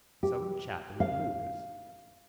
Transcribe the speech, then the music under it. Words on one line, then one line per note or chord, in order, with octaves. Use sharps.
Some chap in the blues.
G4
F5